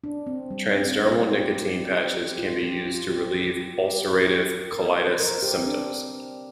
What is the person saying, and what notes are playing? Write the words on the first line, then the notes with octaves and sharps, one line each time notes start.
Transdermal nicotine patches can be used to relieve ulcerative colitis symptoms.
D4
C4
G3
C4
D4
F4
G4
G4
G4
G4
F4
G4
F4
G4
G4
A#4
C5
A#4
G4
C4
D4